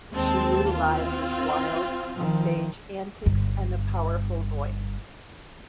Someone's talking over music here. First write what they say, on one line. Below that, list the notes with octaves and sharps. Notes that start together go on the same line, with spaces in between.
She utilises wild on-stage antics and a powerful voice.
D#2 G#3 C4 A5
C4 F4
D#3 F3
G1 G2